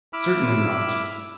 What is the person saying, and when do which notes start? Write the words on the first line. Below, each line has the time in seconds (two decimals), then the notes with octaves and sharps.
Certainly not.
0.13 E4 B5 D6 E6 F6